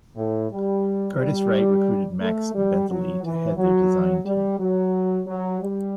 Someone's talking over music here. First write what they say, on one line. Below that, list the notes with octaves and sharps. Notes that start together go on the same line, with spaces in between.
Curtiss-Wright recruited Max Bentele to head their design team.
A2
G3
G3
A3
G3
F#3
E3
F#3
G3
F#3
F#3
G3